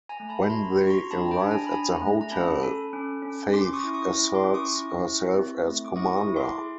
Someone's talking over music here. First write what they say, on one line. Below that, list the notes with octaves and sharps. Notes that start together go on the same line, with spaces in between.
When they arrive at the hotel, Faith asserts herself as commander.
G#5 A#5
A3
A5 B5
B5
F#4 A#5 C6
F#4
C#6
A#5 C6
D4 A5 B5
A#5
G5 A5
D4
A5
G#5 A#5
B5
D4 G#5 A#5
A3
A#5
C#4 A5 B5
A4
C#4
C#4
C#4 C6 D6
C#6 D#6
E4
C#6 D#6
E4
C6 D6
C#4
C#6 D#6
E4
E4
C4
A3
D6
E4 C#6 D#6
C#6 D#6
E4
C6 D6
G#4